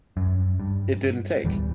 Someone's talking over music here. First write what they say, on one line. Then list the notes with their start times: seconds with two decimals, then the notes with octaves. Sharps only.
it didn't take.
0.17 F#2
0.60 G2
1.44 D1 E2 E3 G3